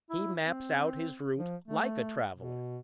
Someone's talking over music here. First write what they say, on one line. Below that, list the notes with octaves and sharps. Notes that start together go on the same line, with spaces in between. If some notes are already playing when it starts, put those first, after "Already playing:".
He maps out his route like a traveller.
E4
C4
F3
A3
B2